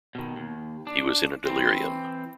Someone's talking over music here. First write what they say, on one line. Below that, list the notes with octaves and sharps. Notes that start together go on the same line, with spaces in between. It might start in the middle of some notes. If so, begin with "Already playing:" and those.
He was in a delirium.
B2 D#3
D#2
D4
E3 C4